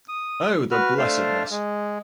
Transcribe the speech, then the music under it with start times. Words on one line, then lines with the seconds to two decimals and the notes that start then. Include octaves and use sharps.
Oh, the Blessedness!
0.08 D#6
0.71 F#4 B4 F6
0.98 A3 D4 C5 F5
1.51 G#3